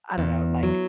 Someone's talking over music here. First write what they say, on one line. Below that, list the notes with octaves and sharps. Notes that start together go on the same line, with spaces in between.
I don't know, like,
E2
F#3